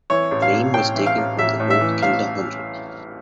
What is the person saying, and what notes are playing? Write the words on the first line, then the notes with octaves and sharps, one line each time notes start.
The name was taken from the old Kinda Hundred.
E3 C#5
A1
F5
A1
A2 G5
E3
F5
A1
A1 E5
A2
E5
E3
A1 F5